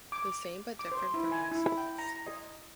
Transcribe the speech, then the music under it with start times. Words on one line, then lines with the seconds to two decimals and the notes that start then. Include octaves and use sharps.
The same but different from ourselves.
0.12 D6
0.79 D6
0.92 C5
1.14 E4
1.32 G#5
1.51 E4
1.77 G5
1.98 A#5
2.27 D#5